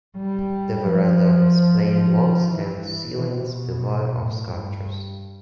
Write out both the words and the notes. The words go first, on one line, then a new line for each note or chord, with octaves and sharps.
The verandah has plain walls and ceilings devoid of sculptures.
G3
F3
F3
E3
C3
B2
A2
G2